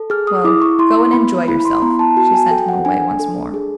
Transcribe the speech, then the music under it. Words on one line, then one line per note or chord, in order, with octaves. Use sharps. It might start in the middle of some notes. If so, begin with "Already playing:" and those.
"Well, go and enjoy yourself ..." she sent him away once more.
Already playing: A4
G#4 F6
D#6
E4 D6
C#6
E4 C6
B3 B5
E4 B5
B5
C6
B3 A#5
A5
F#4 A5
G#5
A4 G5
F#5
D4 G#5
A4
G#4